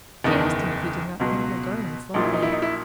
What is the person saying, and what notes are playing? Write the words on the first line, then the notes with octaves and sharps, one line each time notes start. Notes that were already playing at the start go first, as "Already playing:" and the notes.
She asked him if he did not think the garlands lovely.
F#1 E2 D#3 D#4
C#2 B2 F#3
A#1 A#2 F#3 D#4
E4
D#4
E4
D#4
E4